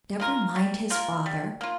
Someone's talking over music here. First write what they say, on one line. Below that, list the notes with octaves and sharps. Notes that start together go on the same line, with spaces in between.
"Never mind his father."
A#3 F4 A#4
G3
A#3 F4 A#4
G3
A#3 F4